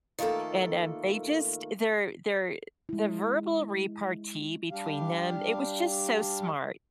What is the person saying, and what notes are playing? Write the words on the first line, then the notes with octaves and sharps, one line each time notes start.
And, um, they just their their the verbal repartee between them, it was just so smart.
D#3 F3 A3 A#3 A4
G#3 E4
G3 D4 G4 F5